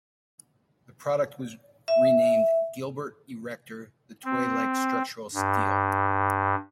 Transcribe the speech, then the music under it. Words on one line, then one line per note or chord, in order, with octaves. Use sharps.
The product was renamed "Gilbert Erector, The Toy Like Structural Steel".
E5
C4
G2